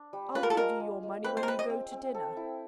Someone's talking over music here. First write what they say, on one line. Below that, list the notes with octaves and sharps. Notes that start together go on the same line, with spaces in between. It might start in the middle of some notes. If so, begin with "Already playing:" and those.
I'll give you your money when you go to dinner.
Already playing: D4
G3
F4 B4
A#4
A4
G#3 A#4
G#3
G#3
C4 B4
C5
A#4
C4 B4
D#5
C4
C4
A4
E4